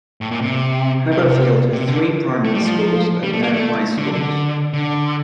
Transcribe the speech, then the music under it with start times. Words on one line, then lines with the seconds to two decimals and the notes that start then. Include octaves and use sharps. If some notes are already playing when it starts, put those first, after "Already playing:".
Haberfield has three primary schools but no high schools.
0.21 A2
0.31 A#2
0.42 C3
1.11 C3
1.72 C3
1.87 D3
2.45 A3
2.54 G3
2.62 F3
3.23 G3
3.33 A3
3.43 A#3
3.53 A3
3.98 D3
4.14 D3
4.73 D3